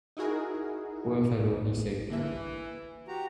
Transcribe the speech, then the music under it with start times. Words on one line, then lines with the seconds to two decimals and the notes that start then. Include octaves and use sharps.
"Poor fellow," he said.
0.17 D#4 E4 F#4 G#4 A#4
2.10 D3 E3 A#3 E5
3.08 F#4 G4 A#5